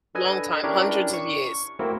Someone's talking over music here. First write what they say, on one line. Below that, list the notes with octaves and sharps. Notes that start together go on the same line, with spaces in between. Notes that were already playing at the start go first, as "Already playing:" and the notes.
Long time, hundreds of years.
D4 A4 B4 D#5 G#5
C#4 D4 E4 G4 A#4 C#5
C#6
A3 A#3 C4 E4 F#4 A#4